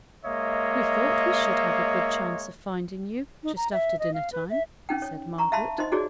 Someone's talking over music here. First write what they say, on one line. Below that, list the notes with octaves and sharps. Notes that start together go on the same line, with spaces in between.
'We thought we should have a good chance of finding you, just after dinner-time,' said Margaret.
G#3 A#3 C#5 D#5 E5
D#4
A#5
E5
D#5
F5
B4
E5
C#4 D#4 G5
C#5
A#5 C#6
E5 F5 A5 B5 C6
D#4 C5 D#5 C6
D#4 F#4 G#4 C#5 D5